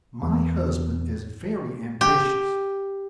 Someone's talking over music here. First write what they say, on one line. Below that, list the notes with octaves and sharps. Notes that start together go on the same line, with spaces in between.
My husband is very ambitious.
E2
G4